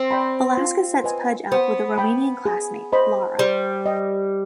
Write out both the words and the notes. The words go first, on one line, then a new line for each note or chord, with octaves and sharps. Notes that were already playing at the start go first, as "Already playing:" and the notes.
Alaska sets Pudge up with a Romanian classmate, Lara.
Already playing: C4
D5 G5 B5
F4
B4 D#5 G#5
B3 C5
G5 B5
G#4
C5 D#5 B5
G3 C5
D#5 G5